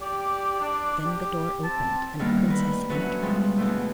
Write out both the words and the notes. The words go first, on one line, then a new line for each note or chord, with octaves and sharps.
Then the door opened, and the princess entered.
G4 D5
D4
G4
C4 A5
D3 D#3 G3 A#3 B3
A#4 B4
A3
E3 F#3 C#4 A4 B4
B2 F3 G3 G#3
E2 B2 D3 A3